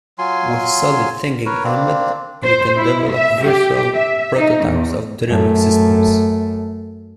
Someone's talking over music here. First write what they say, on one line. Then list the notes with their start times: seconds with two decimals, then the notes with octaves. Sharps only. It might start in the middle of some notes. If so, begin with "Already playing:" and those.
With solidThinking Embed, you can develop virtual prototypes of dynamic systems.
0.19 F#3 F4 G#5 C6
1.46 A#4 B4 C#5
1.64 A#3 C4 D4
2.44 C5
2.77 E4
3.11 E5
3.45 G4
3.94 E5
4.35 D#4
4.66 E2
5.28 F#2 A3